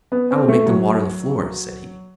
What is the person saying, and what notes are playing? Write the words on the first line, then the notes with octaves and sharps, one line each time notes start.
"I will make them water the floor," said he.
B3
C4
A3
F#3